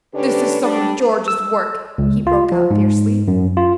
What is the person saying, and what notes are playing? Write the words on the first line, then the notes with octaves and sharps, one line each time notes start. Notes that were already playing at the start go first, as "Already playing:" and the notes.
"This is some of George's work," he broke out fiercely.
D3 C#4 D4 G4 B4
G3 D4
E6
C#2
F4
F3
G#2
F#2
F4